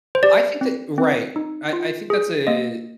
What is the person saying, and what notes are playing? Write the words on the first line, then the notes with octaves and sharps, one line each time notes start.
I think that right, I I think that's a it
C5
G4 D5
C4
C4
D#4
F4
G#4
A#3 D#5